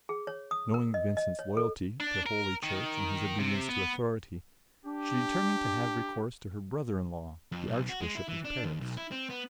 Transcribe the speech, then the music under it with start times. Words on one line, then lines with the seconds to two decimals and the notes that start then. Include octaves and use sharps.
Knowing Vincent's loyalty to Holy Church and his obedience to authority, she determined to have recourse to her brother-in-law, the Archbishop of Paris.
0.09 G#4
0.27 C#5
0.51 D#6
0.74 A#4
0.94 D#5
1.17 D#5
1.39 C#5
1.57 A4
2.00 D4
2.26 A#4
2.63 D#3
3.40 C3
3.68 B3
4.85 D4 G4
7.52 F2
7.67 B1
7.89 F#4
8.01 G#3
8.15 E4
8.28 E3
8.45 D4
8.64 D#2
8.81 B1
8.97 E4
9.11 C4
9.30 B3